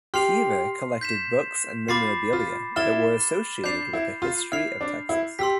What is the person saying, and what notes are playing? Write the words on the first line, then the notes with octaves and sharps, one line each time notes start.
Keever collected books and memorabilia that were associated with the history of Texas.
G4 C6 F6 C7 F7
G6 B6 E7
F4 B5 D6 A6 C7
F4
E4 F6 A6 E7 G7
D4 G6 C7 F7
E4
F4
E4 F6 C7 F7
D4
E4
G4 C6 E6 B6